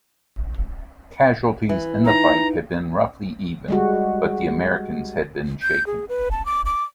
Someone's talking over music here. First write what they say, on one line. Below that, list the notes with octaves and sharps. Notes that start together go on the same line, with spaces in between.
Casualties in the fight had been roughly even, but the Americans had been shaken.
E3
D#4 A#5
G3 G#3 F#4
G6
G#4
B4
A5
D6
D6